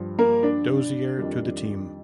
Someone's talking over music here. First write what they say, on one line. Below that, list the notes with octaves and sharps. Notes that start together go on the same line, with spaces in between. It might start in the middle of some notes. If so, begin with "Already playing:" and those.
Dozier to the team.
Already playing: G2 F3
A#3 A#4
D4 D5
F2 D#3 G3